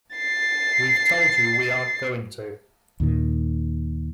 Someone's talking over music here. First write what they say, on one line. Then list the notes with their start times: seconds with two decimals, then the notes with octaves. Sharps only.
We've told you we aren't going to.
0.16 A6 C7
3.00 D#2 A#2 D#3